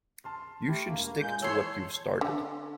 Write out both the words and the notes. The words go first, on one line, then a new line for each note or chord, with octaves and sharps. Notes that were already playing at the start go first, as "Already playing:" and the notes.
You should stick to what you’ve started.
A5 C6 F6
A3 G4 B5
E1 A#3
A#2 G#3 F5 G#5 G6
E3 A4 C#5 C6
D3